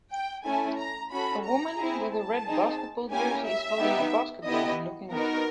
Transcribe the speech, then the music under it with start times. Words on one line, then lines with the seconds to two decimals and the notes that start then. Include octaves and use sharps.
A woman with a red basketball jersey is holding a basketball and looking up.
0.11 G5
0.45 A3 C#4 E4 G#5
0.78 A#5
1.11 C#4 F#4 A4 B5
1.44 A#5
1.78 C4 E4 G#4
2.11 A5
2.45 C4 D#4 G#4
3.11 A#3 C#4 E4 G4 G#5
3.45 E5
3.79 B3 D#4 G4
4.46 B3 E4 G4 D#5
5.12 B3 D#4 F#4 A#4